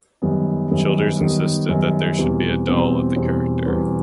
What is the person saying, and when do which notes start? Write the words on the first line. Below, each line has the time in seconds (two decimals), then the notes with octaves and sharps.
Childers insisted that there should be a doll of the character.
0.22 F#2 D#3 G3 B3
0.71 F#2 D#3 G3 B3
1.20 F#2 D#3 G3 B3
1.69 F#2 D#3 G3 B3
2.18 E2 B2 G3 C4
2.68 E2 B2 G3 C4
3.16 E2 B2 G3 C4
3.66 E2 B2 G3 C4